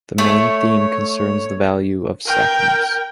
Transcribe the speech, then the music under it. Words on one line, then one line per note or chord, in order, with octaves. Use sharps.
The main theme concerns the value of sacraments.
A3 C#5
A#4 G5